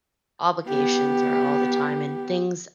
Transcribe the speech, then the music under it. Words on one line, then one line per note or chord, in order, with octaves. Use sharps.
Obligations are all the time, and things
B3 G4